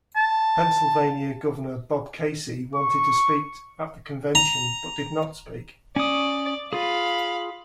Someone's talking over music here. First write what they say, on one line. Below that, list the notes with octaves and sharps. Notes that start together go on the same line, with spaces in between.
Pennsylvania Governor Bob Casey wanted to speak at the convention, but did not speak.
A5
C#6
A#5
C#4 D5 D#6
F4 G#4 F5 B5